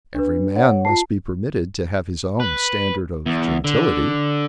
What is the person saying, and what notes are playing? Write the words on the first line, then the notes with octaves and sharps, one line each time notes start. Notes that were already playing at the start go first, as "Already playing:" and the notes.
"Every man must be permitted to have his own standard of gentility."
D4 B4
C#5 F#5
F4 A5 C7
B4
E2
D3